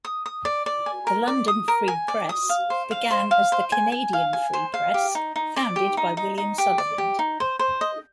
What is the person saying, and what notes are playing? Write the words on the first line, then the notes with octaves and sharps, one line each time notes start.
"The London Free Press" began as the "Canadian Free Press", founded by William Sutherland.
D#6
D#6
D5
D5
G#5
A#4
D5
D#6
A#4
G#5
D5
D#6
F5
C5
F5
C5
F5
C5
G#5
G#5
F5
G#5
C5
F5
G4
D#4
D#4
D5
G4
D#4
D#4
D#4
G4
D5
G4
D#4
C5
C5
D#5